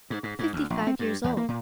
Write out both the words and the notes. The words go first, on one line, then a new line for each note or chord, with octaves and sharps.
"Fifty-five years old."
G#2
G#2
G#2
D2
A#1
C4
G2
E2
A#3
A#2